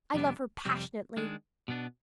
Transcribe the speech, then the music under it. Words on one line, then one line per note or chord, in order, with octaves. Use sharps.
I love her passionately.
F2 C3 G3 B3 D4
F2 C3 G3 C4
D#3 G#3 D4
B2 B3 D4